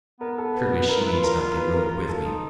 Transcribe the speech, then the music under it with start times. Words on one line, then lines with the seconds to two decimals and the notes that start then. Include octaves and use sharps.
Surely she need not be ruined with me?
0.20 B3 A#4
0.38 A4
0.54 B4
0.76 B4
0.89 E4 A#4
1.00 F4
1.06 E4 B4
1.12 F4
1.24 A#4
1.40 A#4
1.57 B4
1.74 A#4
1.91 F4 A#4
2.09 A4
2.25 D#4